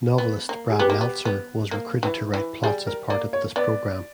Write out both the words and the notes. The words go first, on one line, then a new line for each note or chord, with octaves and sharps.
Novelist Brad Meltzer was recruited to write plots as part of this program.
B3
A#3
G#4
B3 G4
A#3
B3
B3
A#3
E3
E3
G3 G#4
A#4
A#3 D5
C#5
B3 D5